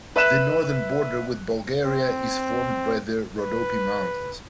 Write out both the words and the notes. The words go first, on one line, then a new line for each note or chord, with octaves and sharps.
The northern border with Bulgaria is formed by the Rhodope Mountains.
B4 E5 F#6 E7
C4
B4